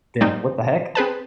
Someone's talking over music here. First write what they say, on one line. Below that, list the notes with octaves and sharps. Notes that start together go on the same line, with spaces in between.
then, "What the heck?"
G3 A#3 C4 D#4
C4 G#4 B4 A5